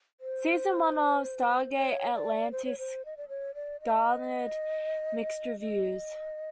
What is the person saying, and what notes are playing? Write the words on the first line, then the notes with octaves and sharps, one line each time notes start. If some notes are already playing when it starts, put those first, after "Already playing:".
Season one of "Stargate Atlantis" garnered mixed reviews.
C5
C#5
D5
C5
C#5
C5
D#5
D5
C#5
D5
D#5
D#5